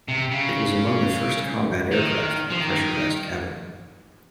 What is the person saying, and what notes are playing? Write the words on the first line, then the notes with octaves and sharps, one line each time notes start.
It was among the first combat aircraft with a pressurized cabin.
C3
C#3
D#3
F3
D#3